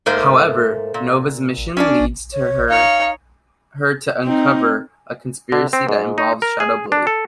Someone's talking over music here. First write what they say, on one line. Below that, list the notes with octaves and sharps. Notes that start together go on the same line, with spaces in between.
However, Nova's mission leads her to uncover a conspiracy that involves Shadow Blade.
G#2 A3 A#3 A#4 C5
A#2
C#4 D4 D5
C#5
D#4 C#5 F5
C4 D#4
D3
C4
G#2
D#4
A#4
G#4
D4
A4